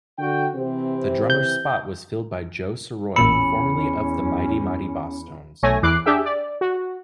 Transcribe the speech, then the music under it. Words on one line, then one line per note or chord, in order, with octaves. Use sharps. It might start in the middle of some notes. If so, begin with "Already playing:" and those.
The drummer's spot was filled by Joe Sirois, formerly of The Mighty Mighty Bosstones.
D3 F#4 G5
C3 E3 C4
G6
A1 E2 A#2 C#4 B5 E6 C#7
B1 A3 C#5 G#5 A#6
E2 E3 D6 F#6 C7
D4 G4 G#4 E5 G5
D5
F#4